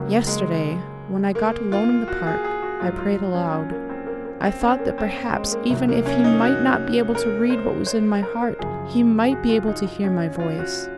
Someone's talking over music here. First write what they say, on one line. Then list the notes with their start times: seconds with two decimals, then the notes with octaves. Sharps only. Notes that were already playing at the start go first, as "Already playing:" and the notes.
Yesterday, when I got alone in the park, I prayed aloud: I thought that perhaps, even if he might not be able to read what was in my heart, he might be able to hear my voice.
Already playing: C#2 C#3 F#3 A#3
0.27 G#3
1.35 A#3
1.72 F4
2.08 F#4
2.27 G#4
2.44 G#4
2.62 F#4
2.80 G#2 F#3 F4
2.98 F4
3.34 C#4
3.52 C#4
3.71 A#3
3.89 C4
4.07 A#3
4.25 A#3
4.43 C4
4.61 C#4
4.80 A#3
4.98 C4
5.34 G#3
5.52 A#3
5.70 C2 C3 D#3 F#3
5.89 A#3
6.06 C#4
6.24 D#4
6.42 F#4
7.15 A#4
7.50 C5
7.87 C5
8.23 A#4
8.59 F#2 C#3 F3 G#4
9.24 G#4
9.32 F#4
9.49 F4
9.68 D#4
9.86 D#4
10.04 C#4
10.40 F4
10.59 F#4